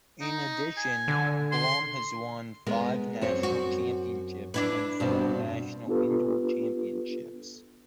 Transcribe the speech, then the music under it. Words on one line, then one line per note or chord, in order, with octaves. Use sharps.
In addition, Blom has won five national championships and four national indoor championships.
D#4
G#5
D3
C6
G#3 B3 A#4
F#2 C4 C#5
F#4
D4 E4 B4
G2 B2 C4
B3 D4 F4 G4 A4 B4